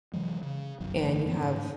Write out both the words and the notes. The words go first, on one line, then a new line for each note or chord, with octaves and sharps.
and you have
C3 E3 F#3 G#3
C#3
F1 B1 F#2 D#3
G#1 E3 A3 D4
F#2 A#3 C4
G#2